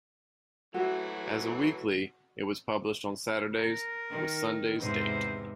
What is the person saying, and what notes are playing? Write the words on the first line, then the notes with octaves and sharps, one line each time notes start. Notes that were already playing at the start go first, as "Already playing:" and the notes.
As a weekly, it was published on Saturdays, with Sunday's date.
E3 F#3 A3 F#4
A#4
D#3
E2 G#2 C3 C5